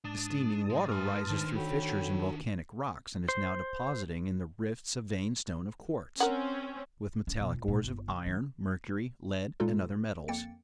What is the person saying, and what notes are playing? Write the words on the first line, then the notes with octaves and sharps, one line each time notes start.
The steaming water rises through fissures in volcanic rocks and is now depositing in the rifts a vein stone of quartz, with metallic ores of iron, mercury, lead, and other metals.
G#2 D4 A5 D#6
G#3 D#4 C6
A#4 B4 G#5 C6 F6
D#3 D4 C5
F#4 A4 C#5 G5 B5
C5
C4 C#4 A#4 F#5
C#4
B2
C#2
A#2
G1
C#3
D#3
A#2 G#3 D#4 F4 A4
F2 A#3 G5 A6 C#7